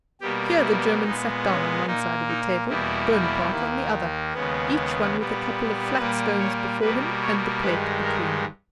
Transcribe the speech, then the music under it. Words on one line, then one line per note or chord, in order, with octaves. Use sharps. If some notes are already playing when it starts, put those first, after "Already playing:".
Here the German sat down on one side of the table, Bonaparte on the other; each one with a couple of flat stones before him, and the plate between them.
B2 G3 A#3 G4
E4
A#2 G#3 B3 D#4
C#4
A#2 A#3 D#4
D#4
E2 B2 G3 A#3 E4
D#2 D#3 A#3
D#2 C#3 G#3 B3
A#2 G3 B3
A#2 G3 A#3 B4
C#5
B2 G3 A#3 B4
C#5
G2 D#3 G#3 B4
A#4